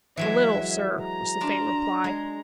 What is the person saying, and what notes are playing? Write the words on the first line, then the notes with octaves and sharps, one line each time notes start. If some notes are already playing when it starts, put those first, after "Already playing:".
"A little, sir," was the faint reply.
E3 F#3 G#3 E5
A#5
D4 F4
G#3